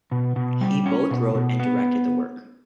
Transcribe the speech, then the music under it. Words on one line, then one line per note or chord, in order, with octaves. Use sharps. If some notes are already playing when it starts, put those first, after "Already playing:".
He both wrote and directed the work.
B2
B2
G3
C#4
B2
B2
B3